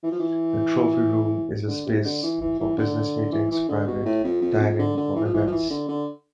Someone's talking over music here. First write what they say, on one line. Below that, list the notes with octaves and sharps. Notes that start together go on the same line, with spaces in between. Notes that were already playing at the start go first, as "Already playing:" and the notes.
The Trophy Room is a space for business meetings, private dining or events.
E3
F3
E3
D3
C3
D3
E3
E3
E3
D3
E3
E3
D3
B2
A2
F2
F2
F2
D3
D3
E3
F3
E3
F3
E3
D3
D3